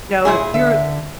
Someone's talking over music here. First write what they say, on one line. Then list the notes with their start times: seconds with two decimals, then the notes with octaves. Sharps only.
You know, if you're
0.25 A#2 G#3 E4 G#4
0.54 D3 E5